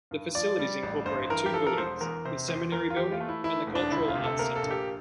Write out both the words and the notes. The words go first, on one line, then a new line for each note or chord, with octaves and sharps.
The facilities incorporate two buildings: the Seminary Building and the Cultural Arts Center.
G2
F3 D5
G3
A1
G2 C5
E3 A#4
G4
F3 A4
A#4
E1 C5
E2 A#4
C3 C5
E2 C5
E2 A#4
F4
E3 G4
F4
A3
E4
E3 E4
E1
D4
D2 E4
F4
C3
A4
A#3 A#4
A4
A#1
G4